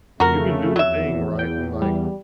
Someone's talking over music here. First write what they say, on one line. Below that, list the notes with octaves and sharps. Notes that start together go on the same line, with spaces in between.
you can do a thing, right? And, like,
F2 C#3 A3 F#4 A#4
E2 F#3 E5
G5
G3